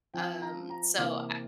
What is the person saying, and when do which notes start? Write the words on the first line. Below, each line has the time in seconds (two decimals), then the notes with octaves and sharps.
Um, so I
0.14 F3 C4 F4 G5
0.42 A#5
0.70 A#5
0.98 C3 E3 A#3 D6